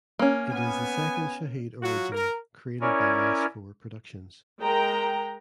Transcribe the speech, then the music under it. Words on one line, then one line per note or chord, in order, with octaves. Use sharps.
It is the second Shahid Original created by Last Floor Productions.
A#3 C#4
B3 G#5
F#3 F4 F#4
A#4
C#4 E4 A#4 C#5 D5 G#5
G#3 A#4 G5 A#5